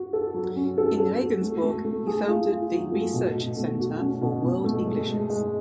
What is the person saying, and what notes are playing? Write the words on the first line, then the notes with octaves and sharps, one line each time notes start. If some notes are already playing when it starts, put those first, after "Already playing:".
In Regensburg he founded the Research Center for World Englishes.
Already playing: F#4
A4
F#3
C#4
A4
A4
F#4
A3
A3
A3
G#4
F4
F4
F#3
A3
B2
B2
A3
F#4
C#4
B2
B2
A3
G#3
G#3
G#3